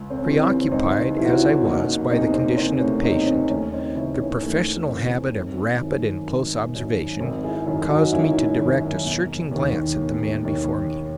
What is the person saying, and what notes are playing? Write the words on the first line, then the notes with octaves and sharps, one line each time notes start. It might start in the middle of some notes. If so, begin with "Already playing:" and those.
Preoccupied as I was, by the condition of the patient, the professional habit of rapid and close observation caused me to direct a searching glance at the man before me.
Already playing: C#2
C4
C#4
C3 E3 C4
C4
C#2 C4 D#4
C3 E3 E4
F#4
C#4 E4
F#1 D#4 F#4
E2 C3 C4 D#4
C4
F#1 C4
A3 C#4
E2 C3 C4 D#4
C4
D#2 A3 C#4
C4 D#4
C#3 E3 C#4 E4
C#4 E4
D#2 A3 C#4
C#3 E3 C4
G#1 C4
F#2 D#3
G#1
F#2 D#3
G#1 C4
E4 G#4
F#2 D#3
D#4 F#4
G#1 C#4 E4
F#2 D#3
E1
D#2 D#3
E1
D#2 D#3